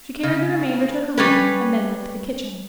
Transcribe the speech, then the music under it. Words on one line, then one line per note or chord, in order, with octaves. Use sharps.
She carried the remainder to her room and then went to the kitchen.
C#3
G3 C#4 B4